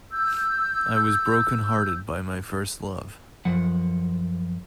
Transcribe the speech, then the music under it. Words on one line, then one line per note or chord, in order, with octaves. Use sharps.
I was broken hearted by my first love.
E6 G6
F#2 F3 F#5